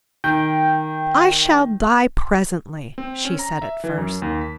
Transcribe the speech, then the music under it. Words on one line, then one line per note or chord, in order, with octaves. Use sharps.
"I shall die presently!" she said at first.
D#3 G5
C4
C#4
A#5
E5
E3
F#2
D#2
B6